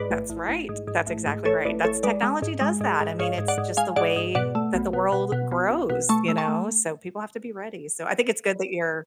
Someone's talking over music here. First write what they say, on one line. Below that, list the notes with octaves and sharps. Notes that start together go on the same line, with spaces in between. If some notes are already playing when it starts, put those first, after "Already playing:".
That's right. That's exactly right, that's technology does that, I mean, it's just the way that the world grows, you know? So, people have to be ready, so, I think it's good that you're
Already playing: G#2 B4 D5
A1
A1
A1
G#2
G#2
A1
G#2
A1 A4 C#5
A1 B4 D5
A1 A4 C#5
G#3 B4 D5
G#3
G#2
G#3
G#2
G#2
G#2 C#5 F5
G#2
D5 F#5
G#2
G#3 F5 G#5
G#2 D5 F#5
G#2
B2 D5 F#5
A3
B1
B2
B2
B2
B1
B1
B2
A3 A5 C#6
A3
A5 C#6
A3